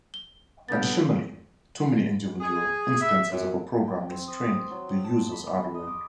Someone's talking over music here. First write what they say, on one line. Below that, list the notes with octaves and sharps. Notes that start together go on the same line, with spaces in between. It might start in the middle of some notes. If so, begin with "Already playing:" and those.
Additionally, too many individual instances of a program may strain the user's hardware.
G7
C#3 G3 B3 D4 A4 G6 A6
G#4
E5
F#2
G5
C4
D#6
C5
F#3
G4
A5
B5
C6
D#5
D6